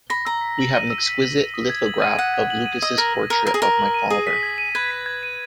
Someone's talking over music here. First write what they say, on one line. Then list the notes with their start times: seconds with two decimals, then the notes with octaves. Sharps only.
We have an exquisite lithograph of Lucas's portrait of my father.
0.10 B5 A#6
0.25 A#5 E6
0.41 B6
0.59 F#7
0.74 D#7
0.90 E6
1.06 B6
1.22 F#7
1.38 D#7
1.54 D#6
1.70 G#6
1.86 F#7
2.02 D#7
2.18 F#5 D#6
2.34 G#6
2.50 F#7
2.66 D#7
2.82 D#5 E6
2.98 A#4 A#6
3.14 F#7
3.30 A#4 D#7
3.46 A#4 E6
3.54 G#4
3.62 A#4 A#6
3.79 F#7
3.94 D#7
4.10 G#4 G#6
4.27 B6
4.43 G#6
4.58 D#7
4.75 B4 G#6
4.91 B6
5.06 G#6
5.23 D#7